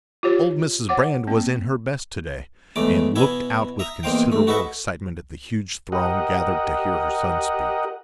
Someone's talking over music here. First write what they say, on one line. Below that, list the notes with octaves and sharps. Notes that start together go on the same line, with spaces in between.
Old Mrs. Brand was in her best to-day, and looked out with considerable excitement at the huge throng gathered to hear her son speak.
F4 G4 C#5
C#5 F#5 D6
A#3 C4
E2 G#2 C#3 A3 D6
B2 B3 E4 E5 G#5
E5 A#5 D#6
E2 A#3 D#4 C5 F5 G5
D2 A3
F#4 A4 B4 D#5 E5 F#5
G4 A#4 D#5 F#5